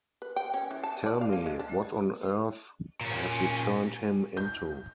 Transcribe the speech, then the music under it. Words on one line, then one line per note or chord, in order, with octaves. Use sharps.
Tell me, what on earth have you turned him into?
B4
G5
C#4
E3
A5
D5
F5
A#3
G#3
D4
A#2 C#4
G6